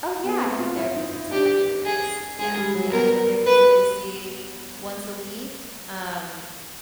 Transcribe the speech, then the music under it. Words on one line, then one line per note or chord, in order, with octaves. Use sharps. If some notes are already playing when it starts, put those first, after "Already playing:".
Oh, yeah, I have a therapist, it's really, really nice. Yeah, yeah, I have a therapist that I see once a week, um,
B3
C4
F4
E4
D#4
D#4
D4 G4
G#4
G#3 G#4
G3
F#3
B3 A#4
B4